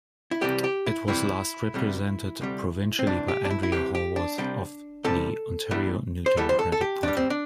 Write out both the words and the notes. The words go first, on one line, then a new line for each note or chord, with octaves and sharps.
It was last represented provincially by Andrea Horwath of the Ontario New Democratic Party.
E4
C2 C3 E3 G3 G4
G4
E4
C2 C3 E3 G3 E4
D2 C3 G3
D2 C3 G3
C4
C2 C3 E3 D4
G4
D4
E4
E4
C2 C3 E3 G4
G4
D4
C2 C3 G3
C2 C3 G3 A4
E2 E3 G3
C5
E2 E3 G3 A4
C5
A4
A4
G4
G2 G3 D4
C4
D4